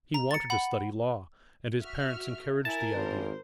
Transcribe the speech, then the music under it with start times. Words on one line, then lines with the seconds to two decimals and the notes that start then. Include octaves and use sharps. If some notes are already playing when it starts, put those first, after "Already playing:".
He wanted to study law, and his parents encouraged the idea.
0.14 A#5
0.31 A6 C#7
0.50 F#5 B5
1.81 F#4 E5 F6
2.65 E4 A#4 G#5 A5
2.95 G#1 C5